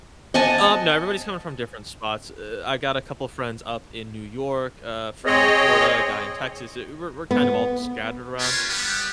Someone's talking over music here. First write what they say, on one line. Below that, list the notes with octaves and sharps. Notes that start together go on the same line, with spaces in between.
Um, no, everybody's coming from different spots, e eh, I got a couple friends up in New York, a friend in Florida, a guy in Texas; eh, we're we're kind of all scattered around.
D#5 F#5 G#5 A5
C4 G#4 C#5 D#5
B3
D4 F4 G4 A#4 B4 C#5
G3 B3